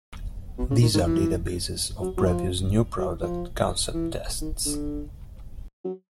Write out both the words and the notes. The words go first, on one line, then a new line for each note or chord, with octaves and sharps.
These are databases of previous new-product concept tests.
B2
C#3
D#3
D#3
E3
F#3
F#3
F3
F#3
F3
E3
D#3
D3
F#3